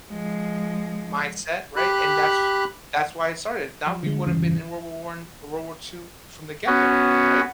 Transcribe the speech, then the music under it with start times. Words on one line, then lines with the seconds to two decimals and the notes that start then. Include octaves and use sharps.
mindset, right? And that's that's why it started. Now, we would have been in World War I World War II from the get go, right?
0.11 F3 G#3
1.76 G4 B5 F#6
3.87 F3
4.03 D3 G#3
4.27 E2 G2 C#3 E3
6.67 B3 C#4 F#4